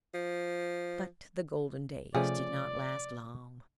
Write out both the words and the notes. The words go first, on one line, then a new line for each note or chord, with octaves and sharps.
But the golden days did not last long.
F3
C3 F3 A3 C#4 G#4 D5